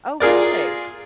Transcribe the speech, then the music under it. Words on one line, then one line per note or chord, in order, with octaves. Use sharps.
Oh, really?
F4 G#4 A#4 D5